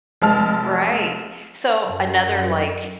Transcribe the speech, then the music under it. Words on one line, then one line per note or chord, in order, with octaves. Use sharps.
Right. So, another, like,
F1 G#3 A5 F6
F#2